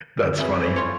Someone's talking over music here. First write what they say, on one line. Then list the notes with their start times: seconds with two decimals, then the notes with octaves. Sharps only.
That's funny.
0.24 D3
0.39 F#3 C4 E4 G#4 B4
0.58 E3 A4 C5
0.76 F4 C#5